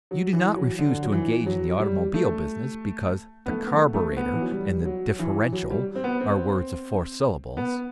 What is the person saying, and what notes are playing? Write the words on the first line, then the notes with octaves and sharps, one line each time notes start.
You do not refuse to engage in the automobile business because the carburetor and the differential are words of four syllables.
F#3
E3
F#3
D3
F#3
E3
F#3
G3
A3
B3
A3
B3
A3
A3
C4
B3
E3
F#3
G3
F#3
E3
F#3
G3
C4
B3
C4
B3